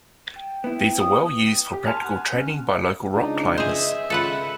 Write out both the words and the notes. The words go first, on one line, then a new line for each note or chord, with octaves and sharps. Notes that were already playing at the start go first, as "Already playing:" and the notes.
These are well used for practical training by local rock-climbers.
G5
B3 E4
D#6
G4
G#5 A5 C6 F6
F#5
C#4
C#2 D4 D#4
G#4 C5 D#5 E5
C#2 F4 A4 B4 F#5